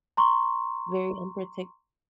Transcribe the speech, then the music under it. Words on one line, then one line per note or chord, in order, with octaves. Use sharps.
very unpretic
A#5 C6 C#6